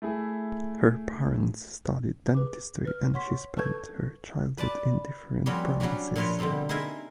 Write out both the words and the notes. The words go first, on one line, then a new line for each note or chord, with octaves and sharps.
Her parents studied dentistry and she spent her childhood in different provinces.
A3 E4 G#4
G#4 B4 D6
B4 F6
C#5 F#5 C6 C#6 B6
A4 B4 A5 C#6 G6 G#6
B4 D5 A5
F3 G3 A#3 C4 C#4 F#4
F#3 G3 C#4 D4 F#4 G4
A#2 F3 A#4 B4 C#5 C6
B2 D3 G3 A#3 C4
D#4 E4 G#4 A#4 C5 E5